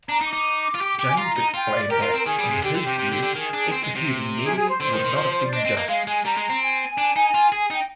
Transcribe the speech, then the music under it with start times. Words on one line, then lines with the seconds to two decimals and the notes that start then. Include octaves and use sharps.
James explained that, in his view, executing Neelley would not have been just.
0.09 D4 A#5
0.21 D#4
0.27 D6
0.33 D#4
0.74 F4
0.81 G4
0.99 G4
1.08 G#5
1.17 F4 A#5
1.36 D#4
1.54 F4 G5
1.72 D5
1.90 G4 A#4
2.02 F4
2.14 C4
2.18 A#4
2.26 D#3 G#4
2.39 G3
2.51 C3
2.63 D3 G4
2.75 D3
2.81 G4
2.87 C3
2.99 C3
3.11 D3
3.23 D3
3.35 D#3 G#4
3.54 D4
3.72 C4
3.83 G#3
3.95 C3
4.44 G#4
4.55 G#4
4.68 C5
4.80 D3
4.93 D#3
5.05 D#3
5.16 F3
5.44 D5
5.53 D4 D#5
5.65 C4
5.77 A#3
5.88 G#3 F5
6.07 G#3 G#5
6.25 G3 A#5
6.37 G#3
6.50 C4
6.62 G#5
6.98 D4
7.16 D#4
7.34 F4
7.52 G#4
7.70 D#4 G5